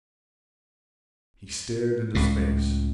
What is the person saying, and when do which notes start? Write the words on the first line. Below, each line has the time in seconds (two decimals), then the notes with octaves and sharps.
He stared into space.
2.15 C#2 A2